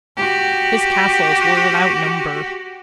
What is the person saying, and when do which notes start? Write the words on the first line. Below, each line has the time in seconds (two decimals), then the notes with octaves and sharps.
His castles were without number.
0.17 F#4 G4